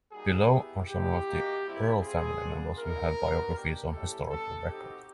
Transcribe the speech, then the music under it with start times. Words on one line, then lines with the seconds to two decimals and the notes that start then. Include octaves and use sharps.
Below are some of the Earle family members who have biographies on historical record.
0.13 G3 A#3 D#4 F#4 G#4
0.51 B3 E4 G4
0.88 G#3 B3 E4 G4
1.27 A#3 D#4 F#4
1.65 G3 C4 E4
2.02 C4 F4 G#4
2.40 B3 D4 F4
2.79 G#3 B3 E4 A#4
3.17 B3 D#4 F#4
3.55 A#3 D4 G4
3.92 A3 C#4 E4 G4 A4
4.31 G3 B3 D4 A4
4.68 C4 D#4 F#4 G4